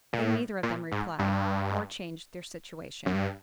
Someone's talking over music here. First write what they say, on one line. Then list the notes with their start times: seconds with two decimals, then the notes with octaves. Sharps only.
They neither of them replied, or changed their situation.
0.13 A#2
0.22 A2
0.63 A#2
0.92 G#2
1.19 G2
3.06 F#2
3.14 G2